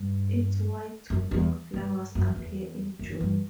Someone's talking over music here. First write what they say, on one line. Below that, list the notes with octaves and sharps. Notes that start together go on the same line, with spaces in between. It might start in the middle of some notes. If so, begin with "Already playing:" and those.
Its white to pink flowers appear in June.
Already playing: G2
F#2
E2
G2
F#2
E2
F#2
G2